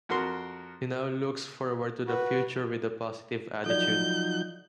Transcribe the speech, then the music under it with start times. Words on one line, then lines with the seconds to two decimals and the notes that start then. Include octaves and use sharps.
He now looks forward to the future with a positive attitude.
0.09 F2 F#4 A#4 C6
2.07 F#4 B4
3.66 F3 F#3 D#4 A4 D5 G6